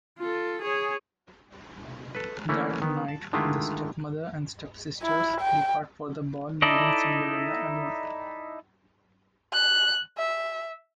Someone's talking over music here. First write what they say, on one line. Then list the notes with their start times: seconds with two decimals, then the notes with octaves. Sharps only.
That night, the stepmother and stepsisters depart for the ball leaving Cinderella alone.
0.19 F4 A4
0.62 G#4 C#5
2.15 A4 B4
2.49 E3 A3 A#3 C#4 E4
2.82 D#3 B3
3.08 A5
3.33 D3 D#3 G#3 A3 E4 F4
5.03 E4
5.40 G5
6.62 D#4 E4 A4 D5 D#5
9.53 F#6
10.18 E5